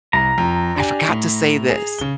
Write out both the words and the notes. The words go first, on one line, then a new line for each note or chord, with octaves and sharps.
I forgot to say this'"
C2 A#5
F2
D4 G4 G#5
A2
G#4
C#3 G7